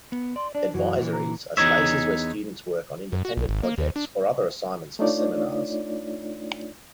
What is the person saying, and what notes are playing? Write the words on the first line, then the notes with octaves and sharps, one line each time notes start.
Advisories are spaces where students work on independent projects or other assignments for seminars.
B3
D5 C6
D4 D5
F#2 E3 F#4
A#2 E3
A#5
E2 B2 D#4 C#5 E5
F#2
F#4
B1
G#1
A#3
D#2
D4
A3 D4 D#4 F4 C#5 D5